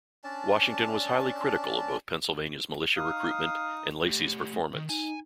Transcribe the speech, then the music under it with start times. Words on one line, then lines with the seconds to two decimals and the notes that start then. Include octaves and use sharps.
Washington was highly critical of both Pennsylvania's militia recruitment and Lacey's performance.
0.24 C#4 D4 D5 A5
2.97 D#4 F5 D#6
4.08 A3 G4
4.75 D#3
4.89 D#4 G#5